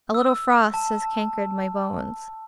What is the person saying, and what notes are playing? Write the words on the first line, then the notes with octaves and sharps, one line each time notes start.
A little frost has cankered my bones.
E6
A5